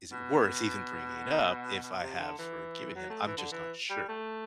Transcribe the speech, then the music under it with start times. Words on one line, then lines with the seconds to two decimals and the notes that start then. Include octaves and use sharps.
is it worth even bringing it up if I have forgiven him?" I'm just not sure.
0.12 B2
1.83 B2
2.01 C3
2.20 D3
2.39 E3
2.95 F#3
3.10 A3
3.26 E3
3.38 D3
3.52 E3
3.90 G3
4.08 A3